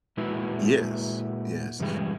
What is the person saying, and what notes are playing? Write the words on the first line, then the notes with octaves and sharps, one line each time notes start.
Yes, yes,
A#2 G#3 E4 F#4 B4
G2 C#3 E3 G3 G#3